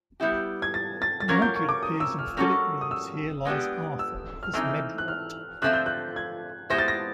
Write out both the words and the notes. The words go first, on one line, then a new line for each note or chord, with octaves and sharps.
Mordred appears in Philip Reeve's Here Lies Arthur, as Medrawt.
G3 B3 E4 G4
G#6
A6
A6
A6
F#3 A#3 C#4 F4 A#4 G#6
G6
C#6
D6
D#6
E6
F6
G3 A#3 C#4 F#4 A4
D#6
E6
G#3 B3 D4 G4
E6
F6
E3 A3 C4 D#4 E6
F#6
F6
D3 F3 A3 C4 F4 F#6
G6
F#6
G#6
G#3 B3 E4 G4 C5 A#6
A6
A#6